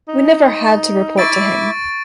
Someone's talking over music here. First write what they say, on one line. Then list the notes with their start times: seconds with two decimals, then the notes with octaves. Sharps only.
We never had to report to him.
0.08 D#4
1.18 E4 E5 C#6 D6 A6 D7